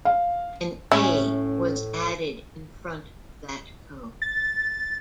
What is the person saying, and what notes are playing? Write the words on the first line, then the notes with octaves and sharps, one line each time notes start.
An A was added in front of that code.
F5
A2 C#4 E4
A6